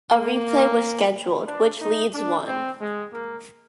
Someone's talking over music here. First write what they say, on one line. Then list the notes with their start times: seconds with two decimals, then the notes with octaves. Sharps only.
A replay was scheduled, which Leeds won.
0.11 A#3
1.46 D4
1.80 D#4
2.13 D4
2.46 C4
2.80 G#3
3.13 A#3